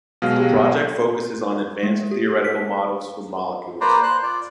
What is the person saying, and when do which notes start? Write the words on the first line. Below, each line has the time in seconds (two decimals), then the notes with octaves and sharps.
The project focuses on advanced theoretical models for molecules.
0.22 B2 F#3 G#3 F5
0.36 G4
1.83 G#3
2.11 G4
2.44 B6
3.81 A#3 B4 C5 D5 A#5
4.03 C5 F#6
4.23 F4 D5